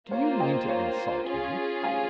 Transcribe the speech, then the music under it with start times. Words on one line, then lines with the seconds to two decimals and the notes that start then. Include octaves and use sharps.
"Do you mean to insult me?"
0.11 A#3 F4 C5 C#5 F5
0.40 D#5 G5
0.68 C#5 F5
1.26 C#4 F4 G#4
1.83 F5 G#5